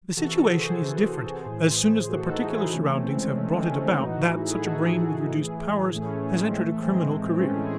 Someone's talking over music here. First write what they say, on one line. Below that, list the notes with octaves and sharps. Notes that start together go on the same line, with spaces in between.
The situation is different as soon as the particular surroundings have brought it about that such a brain with reduced powers has entered a criminal career.
C3 E3 F#4 A4
G#4 C5
C3 E3
A2 E3
A2 E3 F#4 A4
D#4 F#4
E4 G#4
D#4 F#4
C3 E3 A3 C#4
C4
A3
G#3 C4
C3 E3 A3 C#4
G#3 C4
A3 C#4
C4 D#4
A2 E3 D#4 F#4
E4 G#4
A4
G#4
A2 E3 F#4
E4 G#4
A2 E3
A2 E3 A3 C#4
A3 C#4
G#3 C4
A2 E3 A3
G#3 C4
A3
A2 E3 G#3 C4
A3 C#4
E4 G#4